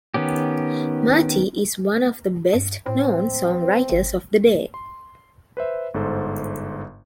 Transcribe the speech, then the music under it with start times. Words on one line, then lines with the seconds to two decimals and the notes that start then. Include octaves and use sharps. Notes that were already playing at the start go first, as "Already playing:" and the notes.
Marty is one of the best known songwriters of the day.
0.14 D#3 B3 C#4 G4
2.53 G2
2.86 A2 C4
3.90 G#1
4.74 C6
5.57 B4 C5 E5
5.94 G1 G#2 A4 C5